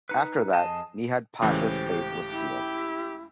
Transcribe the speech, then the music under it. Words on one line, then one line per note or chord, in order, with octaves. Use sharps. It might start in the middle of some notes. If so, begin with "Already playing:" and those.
After that, Midhat Pasha's fate was sealed.
D#4 B4
F2 G#4 D#5 A5
C#2 A2 E3 G4 C5
E4